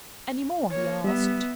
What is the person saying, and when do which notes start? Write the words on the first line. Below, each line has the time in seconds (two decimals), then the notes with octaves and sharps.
"Any more?" he asked.
0.71 A#3 C#5
1.04 G3 B3 E5